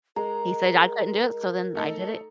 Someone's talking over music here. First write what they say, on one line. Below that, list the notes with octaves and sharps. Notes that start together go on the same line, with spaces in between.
He said I couldn't do it, so then I did it.
G#3 A#4 A#5
A3 D#4 A4